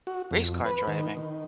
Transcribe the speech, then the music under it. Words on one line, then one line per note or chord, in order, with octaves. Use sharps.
race car driving
F#4
F2
B4
D#3
D#3